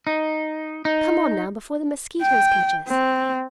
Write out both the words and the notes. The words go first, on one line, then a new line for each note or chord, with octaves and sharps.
Come on, now, before the mosquitoes catch us!
D#4
D#4
G5
C4